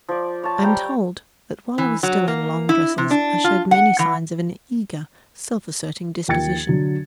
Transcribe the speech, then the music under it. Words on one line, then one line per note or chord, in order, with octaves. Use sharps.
I am told that while I was still in long dresses I showed many signs of an eager, self-asserting disposition.
F3 D5
C#5 A5
G3 G5 A#5
E3
F#3
A#3
E4
C3
D4
F4
F#5
E3
D#2 F3 G5 G#6 A6 C#7
D3 F#3